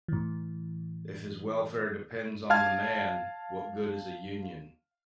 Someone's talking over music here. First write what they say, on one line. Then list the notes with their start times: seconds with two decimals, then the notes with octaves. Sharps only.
If his welfare depends on the man, what good is a Union?
0.08 A2 E3
2.50 F5 A5 F6 G#6